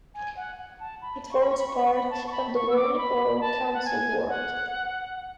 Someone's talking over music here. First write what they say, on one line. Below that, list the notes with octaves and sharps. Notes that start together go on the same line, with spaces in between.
It forms part of the Warley borough council ward.
G#5
F#5
F#5
A5
B5
B5
C#6
B5
C#6
B5
C#6
B5
C#6
B5
A5
C#6
B5
C#6
E6
D6
C#6
B5
B5
A5
F#5
G#5
F#5